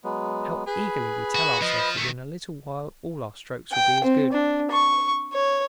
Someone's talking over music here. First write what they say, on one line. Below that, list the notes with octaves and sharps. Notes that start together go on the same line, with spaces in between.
How eagerly we tell ourselves that in a little while all our strokes will be as good.
F#3 G#3 B3
G#4 B4 B5
F#4
F3 D#5
D#3 A3
G5
C4
D4
C#6
C#5